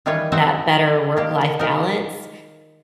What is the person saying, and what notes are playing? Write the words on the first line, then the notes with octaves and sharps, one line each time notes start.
that better work-life balance.
D#3 E3 G3 F4 B4 C#5
C4 D#4 F#4 C5 E5 F#5
D#3 A#3 G4
D#4 A#4